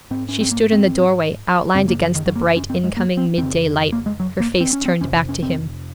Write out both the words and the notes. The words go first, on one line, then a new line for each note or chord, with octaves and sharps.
She stood in the doorway, outlined against the bright incoming mid-daylight, her face turned back to him.
G#2 C4
C#4
C4
A#3
C4
F#2 C#3 C4
A#3
F3
D#3
F#3
A#3
C#4
C4
G#3
A#3
C4
F2 C#3 C4
A#3
G#3
F#3
A#3
C4
C#4
C4
F2 C3 C#4
C#4
C4